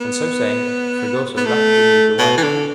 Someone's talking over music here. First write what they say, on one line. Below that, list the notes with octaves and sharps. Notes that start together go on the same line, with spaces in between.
And so saying Fragoso rapidly moved away.
B3
B3
A3
B2
E3
D3